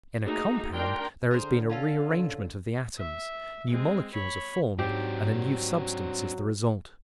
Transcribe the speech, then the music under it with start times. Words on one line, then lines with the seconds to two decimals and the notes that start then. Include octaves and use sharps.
In a compound there has been a rearrangement of the atoms, new molecules are formed, and a new substance is the result.
0.25 A3 A#3 D#4 F#4 G#4
0.74 D4 A#4 G5 A#5 C6
1.31 D3 G#4 A#4 C5
1.70 C#4 F4 A4
2.98 E5
3.70 G#3 C4
4.14 C#5 B5
4.79 G#2 F#3 C4 D4 G4